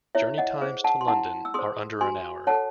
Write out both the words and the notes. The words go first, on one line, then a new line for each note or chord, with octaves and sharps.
Journey times to London are under an hour.
E4 C#5 E5
D#5 F#5
G#4 C5
F#5 A5
C6
E4 F#5 A5
E6
G#4 C5 C6 D#6
F#4 G#5 C6
A4 C#5 F#5 A5